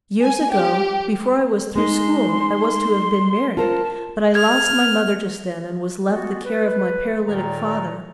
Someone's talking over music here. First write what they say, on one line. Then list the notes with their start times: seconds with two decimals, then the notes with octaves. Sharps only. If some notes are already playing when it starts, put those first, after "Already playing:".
Years ago, before I was through school, I was to have been married; but I lost my mother just then and was left the care of my paralytic father.
0.22 G#5
0.51 G4
1.75 G#3 D#4 C6
3.57 F4 A#4 C5 A5
4.35 F6 G#6
6.06 G#3 A3 B3 F#4
6.45 B4
7.26 D#2 A#2 D#3 A4 D5 A#5